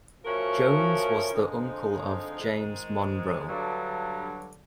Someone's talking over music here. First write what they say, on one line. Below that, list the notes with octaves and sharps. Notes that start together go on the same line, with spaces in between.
Jones was the uncle of James Monroe.
F3 A3 C#4 F#4 A#4
D3 F3 G#3 C4 D#4
G#2 D#3 G#3
G2 D3 F#3